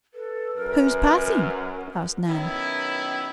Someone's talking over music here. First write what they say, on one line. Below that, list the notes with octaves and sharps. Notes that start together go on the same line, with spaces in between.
"Who is passing?" asked Nan.
A4 B4
F#2 A#4
D#3 F#3 B3 C#4 E4